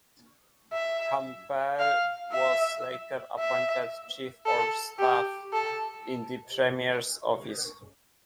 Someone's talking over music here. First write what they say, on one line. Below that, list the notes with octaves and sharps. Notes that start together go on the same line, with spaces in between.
Campbell was later appointed Chief of Staff in the Premier's Office.
E5
F5
E5
E5
A4
G4
A4